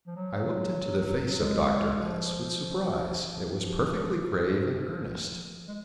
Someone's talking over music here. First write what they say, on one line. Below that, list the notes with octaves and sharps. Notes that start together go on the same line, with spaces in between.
I looked into the face of Dr. S-- with surprise; it was perfectly grave and earnest.
F3
F#3
G#3
F3
F3
F3
G#3